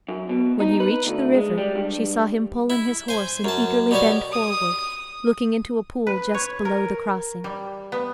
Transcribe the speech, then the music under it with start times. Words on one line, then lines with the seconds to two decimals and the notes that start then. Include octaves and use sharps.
When he reached the river she saw him pull in his horse and eagerly bend forward, looking into a pool just below the crossing.
0.08 F#2
0.29 B2
0.60 D#4
0.80 B4
1.07 D2
1.34 G#3
1.58 G3
1.75 G2
2.70 E4
3.08 C5 G#5
3.44 F#2 A5
3.91 B2 G3 C#5 D5
4.32 D#6
6.07 B4
6.34 C#5
6.65 A#4
7.44 G3
7.92 B3